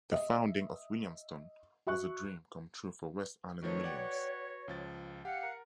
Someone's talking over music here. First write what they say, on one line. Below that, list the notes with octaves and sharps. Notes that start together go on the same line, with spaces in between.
The founding of Williamston was a dream come true for West Allen Williams.
D#5 E5
F#4 E5 C#6 F#6
D#3 F3 A3 F#4 B4 C#5
D5 F#5 G5
C#2 F3 A6
G4 F5 F#5
A#4